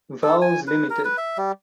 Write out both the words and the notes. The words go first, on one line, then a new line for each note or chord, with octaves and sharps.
Vowles Ltd.
A4
G#5
B4
A#4
B4
E5
G3